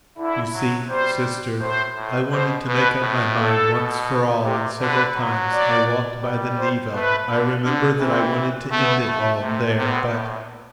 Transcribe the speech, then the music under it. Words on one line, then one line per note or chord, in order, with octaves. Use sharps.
You see, sister, I wanted to make up my mind once for all, and several times I walked by the Neva, I remember that I wanted to end it all there, but...
D3 E4
F#3
G3 C5
A2 C5
A2
B2 C5
B2 B4
A2
A4
B2
C3 G4
D3 B4
F#3
D5
G3
C5
A3 B4
D3
D3 D4
E3 C4
A3 B3
A3
C3 A3
C3 B3
A2